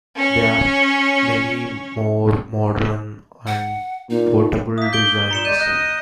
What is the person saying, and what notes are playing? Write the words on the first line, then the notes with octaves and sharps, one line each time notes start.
There are many more modern and portable designs.
C#4 C#5
F#5
A#2 D#4
A#3 E5 D#6 B6
G6 D7 G7
A#2 A#5 C#7 E7
G#3 D5 G6 D#7
D#5 F#6 G6